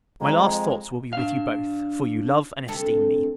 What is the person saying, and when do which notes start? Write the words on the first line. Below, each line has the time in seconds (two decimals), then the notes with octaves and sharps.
My last thoughts will be with you both, for you love and esteem me.
0.21 F2 G#3 A#5
1.13 D4 F5
2.68 D2 C3 A4